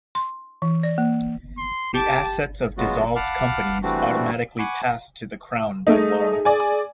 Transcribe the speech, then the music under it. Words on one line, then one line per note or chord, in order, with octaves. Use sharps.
The assets of dissolved companies automatically pass to the Crown by law.
C6
E3
D5
A#3
C6
G4 A5 D6
C#3 F#3 G#3 B3 F4 F#4
F5 F#5 A5 B5 D6 F6
E3 G3 A3 C4 D4 F#4
F#5 G#5 B5 C#6 D6
A3 D#4 G#4
D5 G#5